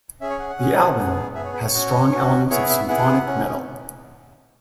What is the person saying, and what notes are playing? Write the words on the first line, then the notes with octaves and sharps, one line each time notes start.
The album has strong elements of symphonic metal.
C#4 G#4 E5
C#5
F#5
F#5
C#4 G#4
B3 G#4
B3 G#4 E5
C#5
B4
C#5
C#4 F#4
C#4 F#4
B3 E4 G#4 C#5
E5
B3 E4 G#4 F#5
C#4